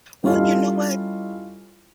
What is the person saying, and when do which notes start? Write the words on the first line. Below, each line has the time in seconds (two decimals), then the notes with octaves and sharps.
Well, you know what?
0.24 G3 C#4 E4 F4 A4 D#5